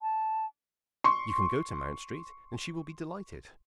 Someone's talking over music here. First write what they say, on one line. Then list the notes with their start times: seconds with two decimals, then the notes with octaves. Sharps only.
You can go to Mount Street, and she will be delighted.
0.01 A5
1.04 C6 C#6